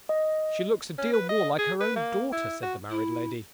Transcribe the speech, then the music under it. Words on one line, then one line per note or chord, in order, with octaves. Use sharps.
'She looks a deal more like her own daughter,' said the married lady.
D#5
C#4
B4
D#5
G#4
B4
A#3
E4
F#4
E4